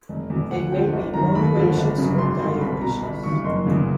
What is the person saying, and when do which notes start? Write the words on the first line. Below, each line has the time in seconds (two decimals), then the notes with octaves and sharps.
They may be monoecious or dioecious.
0.09 F1
0.30 E2 B2
0.51 D2 F#5
0.72 D3 F3 G5
0.93 G1
1.14 F#2 D#3 A#5
1.35 D#2 B5
1.56 D3 F3
1.77 G1
1.98 F#2 C#3
2.18 G#1 C6
2.40 G2 D3 C6
2.60 C2 B5
2.81 B2 A#5
3.03 G1 B5
3.23 G2 E3 C#6
3.44 F#1 C6
3.66 E2 C#3 E3